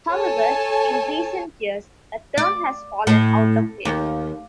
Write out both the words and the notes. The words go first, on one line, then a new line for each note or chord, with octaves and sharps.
However, in recent years the term has fallen out of favor.
A4 C#5 G#5 A5
D5
A2
D#2